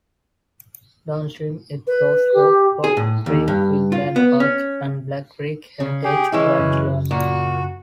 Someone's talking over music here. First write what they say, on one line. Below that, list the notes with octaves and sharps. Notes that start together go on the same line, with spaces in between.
Downstream it flows through "Bob Creek Wildland Park" and "Black Creek Heritage Rangeland".
B4
G4
G#4
A2
D#2
G2
F4
B3
C#4
C#3
G4 G#4 G#5 C7
E3 G#3 C#4 E4
F#2 C#3
A#2 F#4